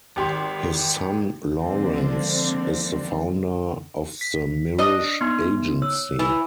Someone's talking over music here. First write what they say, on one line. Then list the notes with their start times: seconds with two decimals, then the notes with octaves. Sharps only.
His son Lawrence is the founder of the Mirisch Agency.
0.16 G#1 G4 C6
1.60 D3 F3 G#3 A#3 C4 D4
4.21 B6
4.78 D4 D#5
5.21 B3 D#4 C6
5.82 C#5 E6
6.19 E3